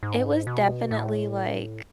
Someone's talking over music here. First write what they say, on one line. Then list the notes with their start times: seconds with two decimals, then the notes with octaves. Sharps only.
it was definitely, like
0.03 G#2
0.47 B2
0.91 A2